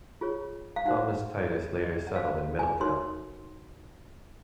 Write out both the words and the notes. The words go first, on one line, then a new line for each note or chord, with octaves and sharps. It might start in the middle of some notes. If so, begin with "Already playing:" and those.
Thomas Titus later settled in Middletown.
F4 G#4 C#5
F5
D#4 F#4 C5 F#5
F4 A#4 C#5
D#5
F#5
F#4 C5 F5
G#5
D#4 F#4 A#4 C#5 C6